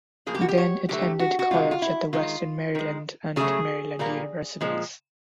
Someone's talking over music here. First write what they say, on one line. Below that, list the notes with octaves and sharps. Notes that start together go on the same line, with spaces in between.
He then attended college at the Western Maryland and Maryland universities.
A2 F3 A#3 G#4
G4
F#4
G4
C#5
D3 F#3 A3 G4
F#4
F#4
C3 D#3 G#3 F4
F4
E4
D#3 G#3 F4
D#3 G#3
C#3 F#3 A3 G#4
A#2 G3 A#3
A#2 F3 G#3